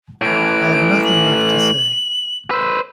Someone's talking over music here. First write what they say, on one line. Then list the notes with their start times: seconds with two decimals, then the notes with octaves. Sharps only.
I have nothing left to say.
0.22 A2 E3 D7
1.05 F#7
2.51 B4 C5 E6